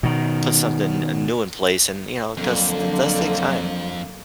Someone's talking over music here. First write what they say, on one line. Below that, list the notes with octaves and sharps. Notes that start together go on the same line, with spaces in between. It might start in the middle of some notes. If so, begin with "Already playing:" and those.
put something n uh, new in place, and, you know, it does it does take time.
B2 D#3
F2 D3 F#3 A#3